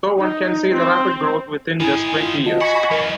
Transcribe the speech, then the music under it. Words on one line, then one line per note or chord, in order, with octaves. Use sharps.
So one can see the rapid growth within just twenty years.
D#4
C4
D#3 E4 G#4 G#5
F4
F4 F#4 D#5 A5
F#4 F#5 G#5 B5 C#6 B6
F#2 E3 A#4